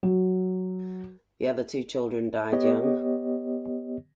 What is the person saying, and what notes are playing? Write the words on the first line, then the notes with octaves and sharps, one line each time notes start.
The other two children died young.
F#3
B3 G4 C#5 D#5